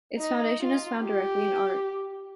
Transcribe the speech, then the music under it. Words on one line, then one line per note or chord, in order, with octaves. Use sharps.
Its foundation is found directly in art.
D#4
F4
G4